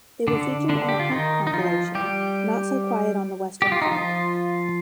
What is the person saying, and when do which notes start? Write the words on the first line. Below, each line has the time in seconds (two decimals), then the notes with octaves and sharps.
They were featured on a punk compilation Not So Quiet on the Western Front.
0.28 D3 D4
0.69 D3 D4
0.89 G4
1.00 F4
1.11 D#3 D#4
1.47 D#4
1.53 F3 F4
1.95 G3 G4
3.62 G4
3.72 F4
3.82 D#4
3.91 F3 F4